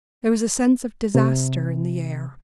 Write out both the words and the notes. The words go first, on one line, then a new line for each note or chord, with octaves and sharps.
There was a sense of disaster in the air.
C3